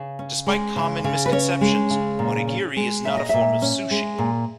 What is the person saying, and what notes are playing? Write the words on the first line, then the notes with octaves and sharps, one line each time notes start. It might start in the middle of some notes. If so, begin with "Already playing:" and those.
Despite common misconceptions, onigiri is not a form of sushi.
Already playing: C#3
C#4
G#3
C#3
C#3
B4
C#4 C#5
G#3
C#3
A#2
C#4
G#3
A#2 E5
D#5
A#2 E5
C#4
G#3
A#2